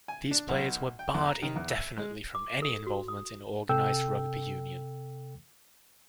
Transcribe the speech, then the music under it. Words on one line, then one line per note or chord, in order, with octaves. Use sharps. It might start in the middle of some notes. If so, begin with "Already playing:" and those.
These players were barred indefinitely from any involvement in organised rugby union.
G#5
D4
B1
G5
E2
A#5
D#3
E2
E5
G#3
D6
A4
F#4
D#6
C3 A4 G5 E6